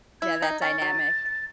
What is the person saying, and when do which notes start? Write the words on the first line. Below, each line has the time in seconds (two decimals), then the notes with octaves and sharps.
Yeah, that dynamic.
0.21 E4 G#6
0.42 D#4
0.61 C#4 A6
0.82 F#3